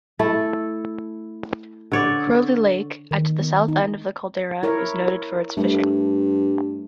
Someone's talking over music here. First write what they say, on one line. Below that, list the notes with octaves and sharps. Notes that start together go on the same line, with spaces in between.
Crowley Lake, at the south end of the caldera, is noted for its fishing.
A3 E4 A4
D3 C#5 D5
D#3
B3
D#4
E4 A#4 C#5
G2 A3